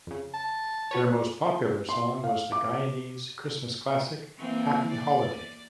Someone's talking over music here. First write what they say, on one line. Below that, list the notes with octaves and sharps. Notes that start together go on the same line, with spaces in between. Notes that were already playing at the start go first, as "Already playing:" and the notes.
Their most popular song was the Guyanese Christmas classic "Happy Holiday".
F2 C#3
A5
F#4 B4 C#5
C6
F5
D6
E3 A#3 C4
D5